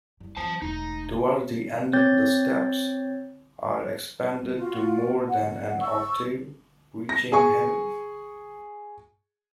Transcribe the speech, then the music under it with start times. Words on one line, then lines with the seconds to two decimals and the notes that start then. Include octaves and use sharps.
Towards the end, the steps are expanded to more than an octave, reaching Heaven.
0.20 F#1 G3
0.37 C4 F4 C5 A5
0.62 E1 A3 D#4
1.93 C4 C#5 G6 A6
4.57 F4 F#4
5.29 F#5
5.82 C#6 E6
7.09 A#6
7.32 G#4 G#5 C#6